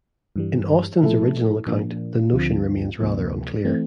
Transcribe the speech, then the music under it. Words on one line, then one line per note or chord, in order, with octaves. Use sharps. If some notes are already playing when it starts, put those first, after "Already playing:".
In Austin's original account, the notion remains rather unclear.
G2 E3 G3
A#2 F3 A3 E4 A4
A#2 F3 A#3 D4
D2 D3 F3 C4 F4
D2 C3 F3 A#3
E3 A3 C4